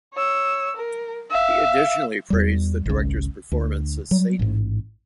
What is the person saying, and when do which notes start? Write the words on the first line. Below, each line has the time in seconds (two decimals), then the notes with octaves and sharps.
He additionally praised the director's performance as Satan.
0.14 C#5 E6
0.76 A#4
1.30 E5 F5
2.30 E2 G3
2.86 G#1 C#2
3.52 D2
4.11 F#3 G3
4.39 A1 G#2